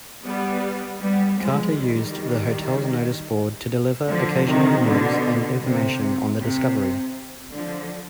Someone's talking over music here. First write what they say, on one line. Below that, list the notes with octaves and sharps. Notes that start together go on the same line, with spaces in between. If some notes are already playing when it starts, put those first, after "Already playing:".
Carter used the hotel's noticeboard to deliver occasional news and information on the discovery.
G3 B3
G3 B3
F3 G#3
D#3 G3
D3 F3
C3 D#3
B2 D3
C3
C3
D3 F3